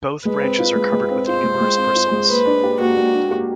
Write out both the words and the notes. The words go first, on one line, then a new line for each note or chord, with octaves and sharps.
Both branches are covered with numerous bristles.
G#3 B4
C4
F4
G#3
G#3
C4
F4 C5
G#3
G#3
C4
F4
G#3
A#3 B4
D4
G4
A#3 F#4
A#3
D4
G4